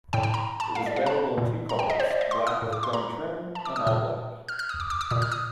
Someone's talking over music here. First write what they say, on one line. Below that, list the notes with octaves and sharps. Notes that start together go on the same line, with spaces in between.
It was available in two colors: black with chrome trim and all black.
A2 G5
G5
A#5
A5
F5
D5
F5
A5
A#2
A#5
G5
D#5
C5
D5
D#5
C6
D#6
A2
D6
C6
A#5
A5
D6
D#6
A#2 D#6
F6
F6
D#6
D6
D6
D6
A#2 D#6
F6
D#6